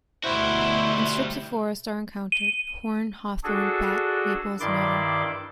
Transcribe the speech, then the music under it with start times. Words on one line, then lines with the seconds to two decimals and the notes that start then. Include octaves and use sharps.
In strips of forest are encountered: horn, hawthorn, bat, maples and other.
0.24 D2 B2 G3 E4 F#4 C5
2.32 D#7
3.44 D4 F#4 G#4 A4
4.60 G2 D#3 E4 D5 C6 D6